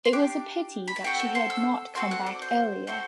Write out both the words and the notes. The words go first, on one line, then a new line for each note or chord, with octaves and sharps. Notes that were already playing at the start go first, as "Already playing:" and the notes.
It was a pity that she had not come back earlier!
C6
D4 G4 D6
B5
A5
C4 F#4 A4 G5
A5
C6
E6
C4 F#4 A4 C6
F#5
D5
C5
C4 F#4 A4 C5